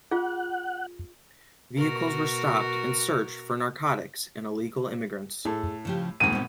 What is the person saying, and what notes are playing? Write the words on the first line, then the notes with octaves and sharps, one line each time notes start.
Vehicles were stopped and searched for narcotics and illegal immigrants.
F4 G#4 F#5
B2 F#4 A#4
A2 G#4 A4
C#3 F3 G4
A#1 D#2 G#2 G#3 D#7
B2 C4